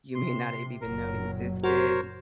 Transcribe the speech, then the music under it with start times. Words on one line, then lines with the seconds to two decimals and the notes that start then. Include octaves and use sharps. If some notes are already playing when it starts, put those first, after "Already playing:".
you may not have even known existed
0.15 C3 C6
0.81 F#1 A#2 F#3 A#4
1.64 F#4 A#4 C5 C#5